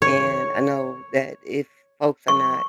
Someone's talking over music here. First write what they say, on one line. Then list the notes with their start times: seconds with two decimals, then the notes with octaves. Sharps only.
And I know that if folks are not
0.02 C#5
2.28 C#6